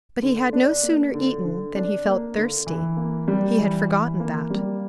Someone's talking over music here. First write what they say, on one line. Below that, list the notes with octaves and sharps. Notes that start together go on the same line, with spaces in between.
But he had no sooner eaten than he felt thirsty; he had forgotten that.
D3
D4
A#3
D3
D3
D4
A#3
D3
E3
A#3
G3
E3
E3
A#3
G3